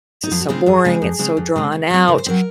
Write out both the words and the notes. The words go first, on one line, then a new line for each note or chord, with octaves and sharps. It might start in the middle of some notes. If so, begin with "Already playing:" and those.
is so boring, it's so drawn out."
D#4
F2 F4
F#4
C#3 G#3 C4 F4
F2 G#4
C#3 G#3 C4
F2
C#3 G#3 C4
F2
C#3 G#3 C4
C#3
F#3 C4
C#3 A#4
C5
F#3 C4 A#4